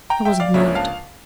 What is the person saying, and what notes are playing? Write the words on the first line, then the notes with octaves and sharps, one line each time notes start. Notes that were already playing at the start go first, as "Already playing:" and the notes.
"I wasn't mad."
G5 A#5
E5 G5
D5 F5
C#2 C#3 F3 A#3 D4 C#5 E5
F5 A5